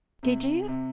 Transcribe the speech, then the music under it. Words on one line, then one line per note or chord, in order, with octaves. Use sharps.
Did you?
C3
C3